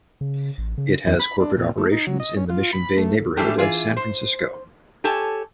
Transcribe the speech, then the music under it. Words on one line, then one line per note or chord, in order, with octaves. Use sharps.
It has corporate operations in the Mission Bay neighborhood of San Francisco.
C#3
A1
C#3
E2
B5
D4
A#2
A3
D#4
F#3
D#5
C#4
F4
B5
A3
A2 E3 G3 D4 G4 A4
E3 F4 G#4
C5
G4 A4 C#5 G#5 A5